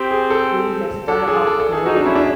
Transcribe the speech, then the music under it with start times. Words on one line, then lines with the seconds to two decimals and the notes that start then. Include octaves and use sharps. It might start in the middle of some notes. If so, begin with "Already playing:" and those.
movies that started off great.
Already playing: C4 G4
0.11 G#4
0.30 A4
1.07 D4 A4
1.28 G#4
1.47 A4
1.60 A4
1.73 G#4
1.86 D#4 F#4
1.96 D4
2.06 C#4 E4
2.15 D4